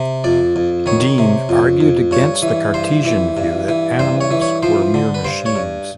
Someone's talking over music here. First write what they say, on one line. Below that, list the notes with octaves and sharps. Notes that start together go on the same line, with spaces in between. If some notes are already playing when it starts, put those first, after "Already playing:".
Dean argued against the Cartesian view that animals were mere machines.
Already playing: C3
F2 D5
F2
D#3 C#5
C3
F2
F2
G2 C#5
E3
G2 C5
E3
G2
E3
G2 C5
C#5
E3
C#5
F3 C5
D3
B4
G2 C5
C#5
G2